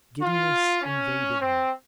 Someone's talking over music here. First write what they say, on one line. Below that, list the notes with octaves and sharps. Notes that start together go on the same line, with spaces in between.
Giddiness invaded him.
F4
C#4
C4